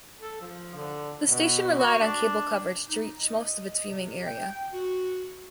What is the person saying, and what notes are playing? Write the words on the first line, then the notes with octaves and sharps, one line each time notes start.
The station relied on cable coverage to reach most of its viewing area.
A4
F3
D3
B2
F#4
D4
D#4
D#5
C3
G5
F#4